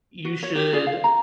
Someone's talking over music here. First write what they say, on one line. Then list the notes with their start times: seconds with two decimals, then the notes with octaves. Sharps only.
you should
0.25 F#4
0.43 C#5
0.55 G4
0.73 F4 G#4 D5
0.87 F5
1.04 A#5